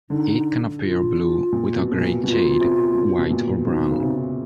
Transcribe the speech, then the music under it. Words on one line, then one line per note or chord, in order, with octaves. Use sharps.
It can appear blue with a grey shade, white, or brown.
D3 D#4
F4
A#2
B2
B2
A#2
B2 F4
C3
B2
B2
A#2
B2 D#4
C#3
C3